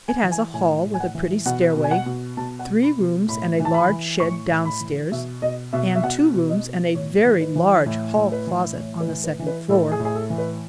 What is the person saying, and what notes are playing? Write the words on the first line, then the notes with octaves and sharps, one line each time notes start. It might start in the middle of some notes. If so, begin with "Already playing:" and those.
It has a hall with a pretty stairway, three rooms and a large shed downstairs, and two rooms and a very large hall closet on the second floor.
G#5
E3
G#5
A2 G#5
A2
G#5
F#5
E3
B2 F#5
B2
G#5
F#5
B2
B2 A5
F#5
B2
B5
B2
A2 B5
E3
A5
B5
E3
A2 C#6
A2
B5
E3
B2 E5
B2 D#5
B2 E5
E5
B2 F#5
B2
D#5
B2
A2 C#5
E3
B4
E3
A2
A2
B4
E3
A2 C#5
B4
E3
B4
E3
B4
A2 A4
G#4
A2
G#4
A4
E3
B4